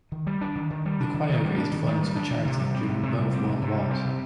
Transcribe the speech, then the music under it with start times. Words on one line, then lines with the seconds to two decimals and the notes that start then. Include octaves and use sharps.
The choir raised funds for charity during both World Wars.
0.12 D#3
0.27 G3
0.41 D4
0.55 D#3
0.70 D#3
0.86 G3
1.00 D4
1.14 D#3
1.29 D#3
1.44 G3
1.58 D4
1.72 D#3
1.87 D#3
2.02 G3
2.16 D4
2.31 D#3
2.45 C3
2.60 G3
2.74 C4
2.89 C3
3.03 C3
3.19 G3
3.33 C4
3.47 C3
3.62 C3
3.77 G3
3.91 C4
4.05 C3